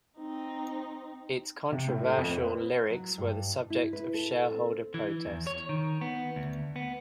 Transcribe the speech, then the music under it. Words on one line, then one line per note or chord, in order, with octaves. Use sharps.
Its controversial lyrics were the subject of shareholder protest.
C4 D#4
C3
A2
A3
F2
C4
B4
F#3
G2
E4
B4
A4
C4
E3
E2
C#5
D#3
B3
D2
B3